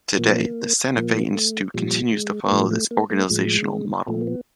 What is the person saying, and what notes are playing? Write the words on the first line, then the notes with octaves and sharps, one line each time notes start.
Today, the Santa Fe Institute continues to follow this organizational model.
A#2 F3 A#3
A#2 F3 A#3
A3
A#2 F3 G3
G#3
A#3
A2 F3 A3
A3
A#3
A3
A2 F3 G#3
A#2 F3 A3
A#3
B3